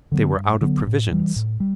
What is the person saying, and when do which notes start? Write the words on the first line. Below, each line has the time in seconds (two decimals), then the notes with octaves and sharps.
They were out of provisions.
0.12 D3 F#3 B3
0.36 G2
0.61 D3 F#3 B3
0.87 A2
1.11 E3 G3
1.36 A2
1.60 G3